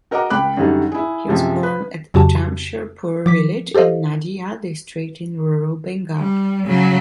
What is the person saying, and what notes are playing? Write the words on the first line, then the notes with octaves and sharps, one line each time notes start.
He was born at Jamsherpur village, in Nadia district in rural Bengal.
F#4 A#4 D#5 F#5 A#5 D6
C#2 G5 B5 D6 F#6
F#2 D3 D#3 F#3 G3
E4 G#4
F#2 C3 F3 G#3
B4
F2 C#3 F#3 F#4 G4 A5
F3 D6 B6
G4 A4 C5 D#5 F5
G3
C#3 F#3